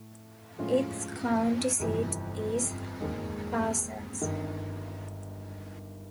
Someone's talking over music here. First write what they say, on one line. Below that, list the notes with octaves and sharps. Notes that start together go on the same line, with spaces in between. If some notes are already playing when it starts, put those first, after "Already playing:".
Its county seat is Parsons.
Already playing: A2 A3
A2 F3 G#3 C#4 F4
G1 F2 C3 E3
E1 D#2 D#3 G#3
G1 G2 D#3